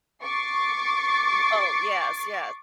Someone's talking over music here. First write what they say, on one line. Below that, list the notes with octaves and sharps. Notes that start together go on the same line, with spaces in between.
R Oh, yes. Yes.
C#6 D6 A6 C7